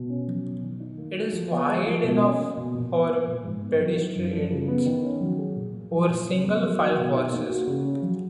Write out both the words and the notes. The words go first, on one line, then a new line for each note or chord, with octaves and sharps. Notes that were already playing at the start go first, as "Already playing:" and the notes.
It is wide enough for pedestrians or single file horses.
Already playing: B2
C#4
F#3
B2
D#3
D#4
A#3
F#4
F3
B3
G#3
F3
B2
C#4
A#3
B2
A#2
B3
F3
A#2
G#2
B3
F#3
D#4
F#2
F3
C#3
B3
D#3
C#4
F#3
G#4
A#2
A#3
F#3
A#2
C#3
B3
F#3
F#4
B2
D#4
A#3
F#4
C#3
C#4
F#3